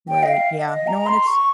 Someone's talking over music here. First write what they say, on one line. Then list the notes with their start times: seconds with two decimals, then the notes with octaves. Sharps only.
Right, yeah. No, and it's
0.09 G5
0.23 D#5
0.28 F5
0.67 D#5
0.87 A#5
1.06 C6
1.27 C#6